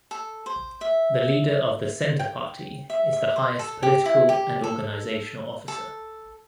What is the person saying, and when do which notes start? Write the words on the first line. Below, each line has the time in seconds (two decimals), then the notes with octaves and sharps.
The Leader of the Centre Party is the highest political and organizational officer.
0.11 A4
0.46 C5
0.81 E5
2.19 G5
2.90 E5
3.13 E5
3.36 C5
3.59 A4
3.83 G4
4.05 E4
4.29 G4
4.64 A4
5.68 A4